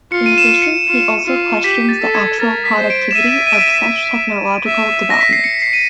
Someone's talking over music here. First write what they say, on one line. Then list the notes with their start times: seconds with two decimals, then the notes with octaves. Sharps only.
In addition, he also questions the actual productivity of such technological developments.
0.12 F4 C#7
0.26 D#7
0.38 E7
0.62 C#7
0.87 F4
1.25 F4
1.64 G4 B6
1.89 A6
2.02 A4
2.14 G#6
2.40 A#4 A6
2.65 B6
2.78 C5
2.90 D7
3.11 E7
3.15 E5 D#7
3.47 D#7
3.53 D7
4.67 E5
5.10 A#6
5.21 B6
5.33 C7
5.44 C#7
5.62 C7
5.73 D#7